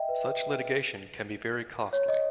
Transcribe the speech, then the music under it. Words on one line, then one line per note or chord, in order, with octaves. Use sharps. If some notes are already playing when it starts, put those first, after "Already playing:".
Such litigation can be very costly.
Already playing: D#5 E5 G5
B4
C#5
D#5